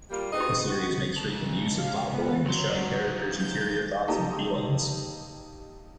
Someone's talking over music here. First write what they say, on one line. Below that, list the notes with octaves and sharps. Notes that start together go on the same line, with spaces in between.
The series makes frequent use of thought balloons, showing characters' interior thoughts and feelings.
G3 A#3 F4 G4
C4 D#4 G#4 B4 D#5
F#4
C#2 A5
F5
B3
C2 F#3 C6
D#3 F3
G6
A#3 D#4 G4 A4